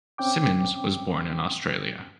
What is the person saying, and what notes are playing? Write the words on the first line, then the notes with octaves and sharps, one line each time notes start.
Simmons was born in Australia.
C4 C#4 G5 D6